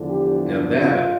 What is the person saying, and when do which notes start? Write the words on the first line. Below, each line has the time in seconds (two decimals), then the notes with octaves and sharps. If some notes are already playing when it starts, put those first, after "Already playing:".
Now that
Already playing: E2 D3 F3
0.09 G4
0.70 F4